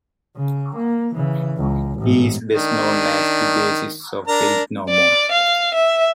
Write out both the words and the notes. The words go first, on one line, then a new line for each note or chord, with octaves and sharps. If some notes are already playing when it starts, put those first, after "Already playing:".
He is best known as the bassist of Faith No More.
C#3
A#3
C#3 E3
C#2
A1 G#2
D#3 D4
D4 A#4 A#5
D5
F5
E5